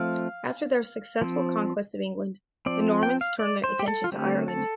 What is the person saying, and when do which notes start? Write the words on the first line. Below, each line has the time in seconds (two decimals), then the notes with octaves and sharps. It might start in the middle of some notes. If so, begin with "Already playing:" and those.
After their successful conquest of England, the Normans turned their attention to Ireland.
Already playing: F3 A3 C4 F5
1.21 F3 C4
2.66 F3 C4 D5
3.03 G5
3.21 F5
3.39 D5
3.64 C5
3.79 G4
3.88 A4
4.04 F4
4.12 D3 A3 C4 G4
4.48 A4